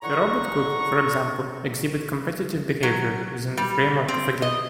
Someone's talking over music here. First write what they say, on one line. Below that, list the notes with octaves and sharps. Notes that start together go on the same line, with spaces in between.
The robot could, for example, exhibit competitive behavior within the framework of a game.
A2 D3 F#5 A#5 C#6
F#3
G3
C4
D#5